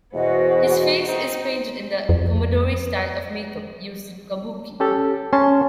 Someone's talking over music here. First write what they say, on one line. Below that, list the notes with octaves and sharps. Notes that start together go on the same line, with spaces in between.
His face is painted in the "kumadori" style of makeup used in kabuki.
E2 B2 B3 F#4 C5 D#5
C4 D#4
F2
C#4 G4 A4
C#4 A5 C6